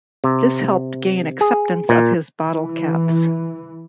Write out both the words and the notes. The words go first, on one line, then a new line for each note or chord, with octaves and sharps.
This helped gain acceptance of his bottle caps.
C3
G#4
A#2
E3